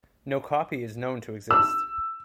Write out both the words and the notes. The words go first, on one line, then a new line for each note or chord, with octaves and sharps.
No copy is known to exist.
E6